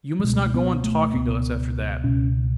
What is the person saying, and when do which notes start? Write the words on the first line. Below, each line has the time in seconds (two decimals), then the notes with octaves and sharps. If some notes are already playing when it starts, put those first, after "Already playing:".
You must not go on talking to us after that.
0.19 F#3
0.24 C#2 B2 G#3
0.37 G#3
0.46 A3
0.54 B3
0.84 A3
1.14 C#2 B2 B3
2.04 C#2 B2 C#4